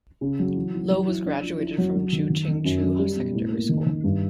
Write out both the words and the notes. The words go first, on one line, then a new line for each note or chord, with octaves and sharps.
Lo was graduated from Ju Ching Chu Secondary School.
C#3
F#3
E3
E3
F#3
E4
D4
F3
E4
F#3
F#3
D#3
D#3
D#3
F#2
F#3
G3
B2
A2
A#3
D#3
D#3
G2